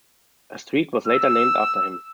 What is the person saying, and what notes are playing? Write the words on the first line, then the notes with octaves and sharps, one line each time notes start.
A street was later named after him.
E6